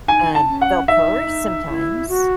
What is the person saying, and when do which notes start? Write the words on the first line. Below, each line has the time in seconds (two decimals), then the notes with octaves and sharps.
Um, they'll purr sometimes
0.08 D#4 G#5
0.35 A5
0.48 C#4
0.61 F#5
0.88 D#4 E5
1.69 E4
2.09 F#4